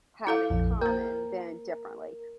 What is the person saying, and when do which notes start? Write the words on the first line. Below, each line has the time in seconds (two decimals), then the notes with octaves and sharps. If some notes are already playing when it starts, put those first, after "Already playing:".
have in common than differently.
0.27 E4 A4 F5
0.50 A#1 F2
0.81 A#3 A#4 C5